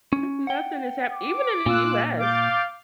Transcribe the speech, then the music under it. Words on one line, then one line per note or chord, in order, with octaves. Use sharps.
Nothing has happ even in the US,
C#4
F#5 G5
D6
A#2 F4 E6 F#6
F5 D6 G6 A6